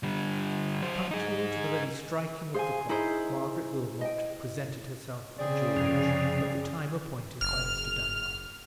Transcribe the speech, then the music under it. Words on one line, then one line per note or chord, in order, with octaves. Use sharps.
Punctual to the very striking of the clock, Margaret Wilmot presented herself at the George at the time appointed by Mr. Dunbar.
D3 G3
F#3 C5
D#4 G#4
G#4 C5 F5 G#5 C6
D#4 E4 G#4 A#4 C5
D#5 G5
C#3 C4 G#4 D5
F#2 C3 F3
F#1 F6